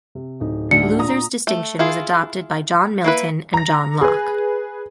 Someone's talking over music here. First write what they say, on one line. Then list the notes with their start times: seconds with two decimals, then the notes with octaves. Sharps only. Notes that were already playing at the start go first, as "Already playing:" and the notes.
Luther's distinction was adopted by John Milton and John Locke.
0.15 C3
0.40 D1 D#4
0.71 D2 D4 C#7
0.99 A#2 A#5 D#6
1.47 A3
1.79 E4 F4 G#4
3.04 A#3 E4 B4
3.54 A#5 A#6
4.01 G#4 B4